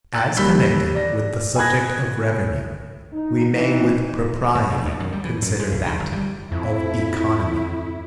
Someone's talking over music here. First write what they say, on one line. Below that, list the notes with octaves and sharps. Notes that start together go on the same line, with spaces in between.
As CONNECTED with the subject of revenue, we may with propriety consider that of economy.
E6 F#6 G6 A6
D#2 G3 B5 E6 B6 G7
D5 A#6
G#5 B5 D#6 F#6 G#6 A#6
D#4
E3 C4 D#4
A2
C3
D2
F#2
G3
E3
F#2
G#3
B1
D#3
G1
G3
F2 E4